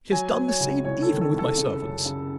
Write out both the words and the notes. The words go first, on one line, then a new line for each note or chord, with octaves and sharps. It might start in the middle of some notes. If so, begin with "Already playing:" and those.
She has done the same even with my servants.
F#3 G#5
F#3
C#5
C#2
C2 C#5
A4
D#3
A4
C2
A4
C#3
F#2
C#3